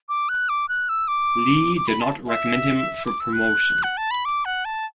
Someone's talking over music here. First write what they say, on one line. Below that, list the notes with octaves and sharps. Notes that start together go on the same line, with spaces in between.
Lee did not recommend him for promotion.
D6
F#6
D6
F#6
E6
D6
D6
B5
A5
E5
D6
E6
F#6
F#5
A5
B5
D6
F#5
A5